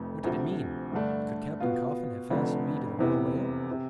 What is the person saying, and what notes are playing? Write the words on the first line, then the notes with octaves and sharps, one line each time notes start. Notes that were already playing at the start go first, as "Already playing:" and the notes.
What did it mean? Could Captain Coffin have fastened me to the wrong whale?
Already playing: F1 F2 A3
D2 C3 F3
G2 D3 A3 D4
B2 B3 F4
F1 F2 D3 A3 D4
F1 E2 C3 E3 B3
C3